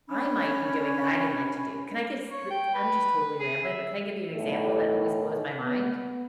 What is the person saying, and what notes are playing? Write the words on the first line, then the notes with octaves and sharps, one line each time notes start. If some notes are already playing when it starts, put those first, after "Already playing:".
I might be doing that I didn't like to do. Can I give s like, I'm just totally rambling, but can I give you an example that always blows my mind?
C#4 D4 B5
C#5
G5
B4
G#4
E5
B1 A2
B3